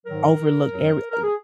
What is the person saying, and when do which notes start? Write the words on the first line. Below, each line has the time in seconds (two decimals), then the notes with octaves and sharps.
overlooked every, uh
0.06 G#2 D#3 F#3 A#4
0.70 F#2 F#3
1.11 A#4
1.23 G#4